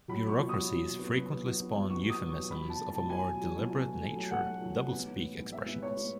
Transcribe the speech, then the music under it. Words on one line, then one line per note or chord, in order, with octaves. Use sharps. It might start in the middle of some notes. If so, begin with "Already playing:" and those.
Bureaucracies frequently spawn euphemisms of a more deliberate nature, "doublespeak" expressions.
F#3 B5
B2 C#6
B2
D#6
F#3
B2
B2
B3
F#3
B3
F#3
B3
B3
B2 C#6
B3 D#6
B3
C#6
F#3
F#3 B5
B2
A5
A3
A5
B2
F#3 G#5
B2
F#3
B2
B2
A3
A3
F#3
A3 F#5
A3
F#3
F#3
B3
A2
A2
A2
G#3 E5
B3
A2 C#5
B3